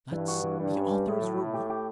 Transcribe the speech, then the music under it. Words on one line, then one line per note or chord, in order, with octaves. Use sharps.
That's the author's reward.
G2 E3
F#4
E3
G2 G3
C#4
G3
A2 A3
F#3
E4
G4
G4